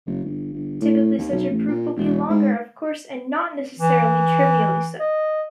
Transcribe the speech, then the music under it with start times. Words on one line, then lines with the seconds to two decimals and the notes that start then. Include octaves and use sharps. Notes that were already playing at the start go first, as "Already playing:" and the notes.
Typically such a proof will be longer, of course, and not necessarily trivially so.
0.06 F#1
0.24 G1
0.53 G1
0.81 A2
1.18 D#2
1.31 B1
1.50 A1
1.68 A#2
1.96 E1
2.29 G#2
3.80 E3
5.00 D#5